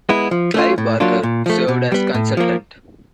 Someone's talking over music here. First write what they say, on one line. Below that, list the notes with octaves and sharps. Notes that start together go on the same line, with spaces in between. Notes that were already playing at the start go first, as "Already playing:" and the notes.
Clive Barker served as consultant.
G#3 B3 E4
F3
A3 C#4 F4
A2
F#3 A#3 D4 F4
A#2
F3 A3
B2
G3 B3
A2
F3 A#3